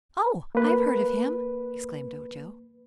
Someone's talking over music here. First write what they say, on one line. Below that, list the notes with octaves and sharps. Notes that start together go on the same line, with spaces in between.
"Oh, I've heard of him!" exclaimed Ojo.
A#3 B4